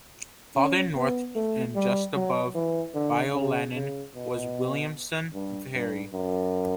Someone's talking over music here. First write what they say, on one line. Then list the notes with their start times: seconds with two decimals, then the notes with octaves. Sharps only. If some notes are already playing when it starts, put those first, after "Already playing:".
Farther north, and just above Bayou Lanan, was Williamson Ferry.
0.56 C#4
0.96 B3
1.36 A3
1.76 G3
2.15 F#3
2.55 E3
2.94 D3
3.34 C#3
3.74 C#3
4.15 B2
5.34 G2
5.74 G2
6.13 F#2